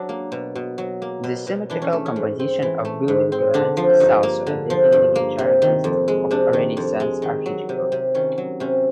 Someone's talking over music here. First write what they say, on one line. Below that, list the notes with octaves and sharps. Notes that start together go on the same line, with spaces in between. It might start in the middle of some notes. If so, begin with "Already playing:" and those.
The symmetrical composition of building elements is also a defining characteristic of Renaissance architecture.
Already playing: F#3 D4
A#3
B2
B2
F#3
A#3
B2
B2
E3 D4
C#4
A3
C#4
G#2
C4
E3
A3
G#2
C4
D3 D4
F3
G2 D#4
A#3
D3
F3
G2
A#3
C3
D#3
F2
G#3
C3 D4
D#3
F2
G#3
D#3
F#3
C3
C3
D#3 C#4
F#3
C3 C#4